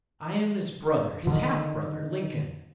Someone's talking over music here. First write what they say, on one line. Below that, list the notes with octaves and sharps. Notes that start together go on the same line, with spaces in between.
I am his brother--his half-brother, Lincoln.
D3 D#3